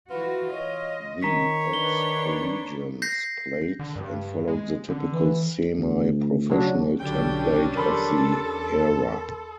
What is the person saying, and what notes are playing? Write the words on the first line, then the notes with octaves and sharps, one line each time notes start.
The Ex-Collegians played and followed the typical semi-professional template of the era.
E3 F4 F#4 B4
C#5 D#5
D#3 C#5 A#5 B6
D#3 D4 B4 D5 G7
G6 A#6 C7
D3
G2
G#3
D3
E3
D2
C#3 F#3 D4
B1 D3 F#3 G3 C#4 D4 G5
E2 A4 A#4 B5 C6